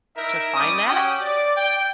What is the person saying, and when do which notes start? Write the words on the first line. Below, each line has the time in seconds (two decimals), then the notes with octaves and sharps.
to find that.
0.16 D#4 E4 A#4 E5
0.54 G3 C#4 D6 D#6
0.85 C#4 F#4 G4 G5 D#6
1.21 D5
1.56 G5